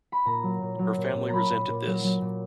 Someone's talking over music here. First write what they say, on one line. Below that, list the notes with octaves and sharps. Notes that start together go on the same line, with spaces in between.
Her family resented this.
B5
A#2 A#5
F#3
A#2
F#3
A#2
A#2
F#3 A#5 B5
A#2
A#2
F#3
F#3
A#2